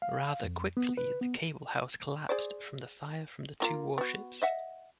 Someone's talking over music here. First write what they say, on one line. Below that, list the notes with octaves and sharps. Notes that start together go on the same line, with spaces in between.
Rather quickly, the cable house collapsed from the fire from the two warships.
F5
F2
B3
B4
B3
G#4 C5 D5
A#3 F4 A#4
B3 F#4
D#5 E5 F#5